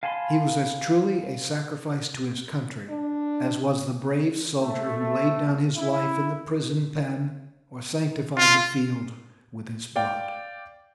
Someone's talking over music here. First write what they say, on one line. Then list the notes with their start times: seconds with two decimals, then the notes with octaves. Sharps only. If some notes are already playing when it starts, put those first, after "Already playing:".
He was as truly a sacrifice to his country as was the brave soldier who laid down his life in the prison-pen or sanctified the field with his blood.
0.03 F5 G#5 A5 B5 C6
2.90 D4
4.59 A3
5.77 E4
8.38 F4
9.96 D5 F5 G5